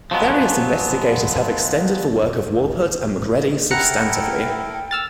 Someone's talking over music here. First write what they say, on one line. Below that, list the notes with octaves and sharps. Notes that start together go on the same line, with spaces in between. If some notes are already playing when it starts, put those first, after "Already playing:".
Various investigators have extended the work of Wolpert and Macready substantively.
F3 F#3 G#3 B3
E4 A4 A#4 F#5 G5 A#5 C#7
E6 F6 A6